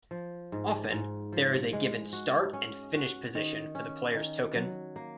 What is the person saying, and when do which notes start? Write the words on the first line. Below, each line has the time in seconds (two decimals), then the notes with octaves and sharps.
Often there is a given start and finish position for the player's token.
0.11 F3
0.52 G#2
0.92 G#2
1.33 F3
1.73 G#3
2.13 F#4
2.53 C#4
2.95 F#4
3.35 D#3
3.75 C#4
4.15 D#3
4.56 F#3
4.96 A#3